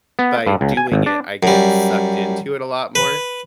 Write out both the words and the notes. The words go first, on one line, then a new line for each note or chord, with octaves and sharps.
by doing it, I get sucked into it a lot more,
B3
G2
C#2
G#5
G#1
D4
F#2 G3
B4